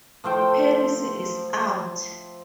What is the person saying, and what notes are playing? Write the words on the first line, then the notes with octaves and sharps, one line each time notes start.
Paris Is Out!
F3 A3 C5 G5